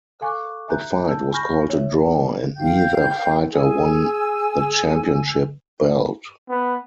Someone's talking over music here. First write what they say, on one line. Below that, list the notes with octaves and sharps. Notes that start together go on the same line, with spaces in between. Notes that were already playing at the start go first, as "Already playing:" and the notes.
The fight was called a draw and neither fighter won the championship belt.
A4 F5 G#5 C#6 D6 F#6
E5 G#5 A#5 F#6 G6
A5 E6 G6
G#5 B5 C#6 F6 G6 A#6
C#5 E5
F5 G5 G6
G#4 G#5 E6
B3